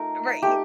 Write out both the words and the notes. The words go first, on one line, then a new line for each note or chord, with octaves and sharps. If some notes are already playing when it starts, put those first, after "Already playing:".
Uh, right, e
Already playing: A3 D#4 F4 A#4
A3 G4
D#4